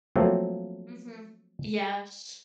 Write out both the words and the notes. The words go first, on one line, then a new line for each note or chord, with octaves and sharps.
Mhm. Yes.
F3 F#3 A3 A#3 C4